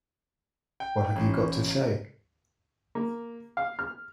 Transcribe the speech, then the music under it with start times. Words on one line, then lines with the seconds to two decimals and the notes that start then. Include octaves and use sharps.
What have you got to say?
0.80 G5
1.16 A1
2.95 A#3
3.57 F5
3.79 F6